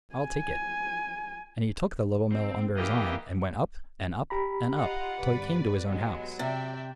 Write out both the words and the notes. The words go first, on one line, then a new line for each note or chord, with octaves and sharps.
"I'll take it." And he took the Little Mill under his arm, and went up, and up, and up, till he came to his own house.
G#5
C4
E3 A#3 G4 D#5
G4 A#5 B5
F4 D#5 F#5
G1 B4 D5
F#3 G#3 B3
C3 D5 E5 G5